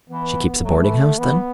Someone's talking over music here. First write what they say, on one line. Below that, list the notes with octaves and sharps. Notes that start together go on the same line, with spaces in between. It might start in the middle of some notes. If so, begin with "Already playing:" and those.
"She keeps a boarding-house, then?"
E3 B3
F#3 A3
E3
D3
E3 B3